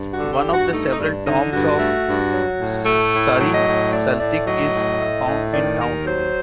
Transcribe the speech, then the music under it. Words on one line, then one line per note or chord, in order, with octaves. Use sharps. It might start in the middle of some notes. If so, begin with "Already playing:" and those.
One of the several tombs of Sari Saltik is found in town.
Already playing: G2
F#4
D3
G4
G2
F#4
A3 D#4
D#4
G2 D4
D3 D#4
G2 F#4
A3
G2
F#3
A2
A3
A2
F#3
D#5
A2
A3 D5
A2 D5
F#3 D#5
A2
A3
A2
D#3 D5
D#2 A#4
F#3 C5